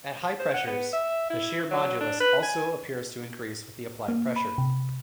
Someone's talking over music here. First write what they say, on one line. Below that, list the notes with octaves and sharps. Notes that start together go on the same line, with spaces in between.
At high pressures, the shear modulus also appears to increase with the applied pressure.
C5
F#5
B3
E5
E4
F#3
D4
B4
G#5
A#3
B5
C3